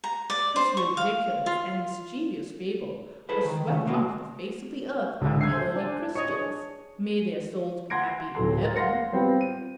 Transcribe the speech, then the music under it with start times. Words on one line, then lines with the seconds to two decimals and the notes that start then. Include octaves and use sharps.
This ridiculous and mischievous fable was swept off the face of the earth by the early Christians--may their souls be happy in Heaven!
0.04 A#5
0.30 D5
0.56 C5
0.77 C#6
0.97 F5
1.46 F4
3.29 E4 G#4 A4 B4 C5
3.45 D#3
3.57 D#3
3.72 C#3 A3
3.85 A2 C3 A#3 B3 F#4
5.21 C#2 D3
5.41 E5 G#5 G#6 C7
5.52 A4 C5
5.76 D4 D5 G#5
6.15 C#5 D#5 C#7
6.29 D4 G#4 C#5
7.90 F#5 C6 G#6 A#6 D7
8.35 D1 F#3 A4 C6
8.63 A#4 A6
8.76 F5 F#5 C6 A#6 C#7
9.12 G3 B3 C4 F4
9.41 D#7